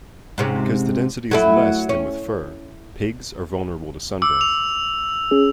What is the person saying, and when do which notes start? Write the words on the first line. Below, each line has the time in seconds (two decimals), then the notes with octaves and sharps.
Because the density is less than with fur, pigs are vulnerable to sunburn.
0.38 G#2 C3 C#4
1.31 F#3 A3 E4
1.89 C#4
4.22 D6 E6
4.41 F7
5.31 C#4 G#4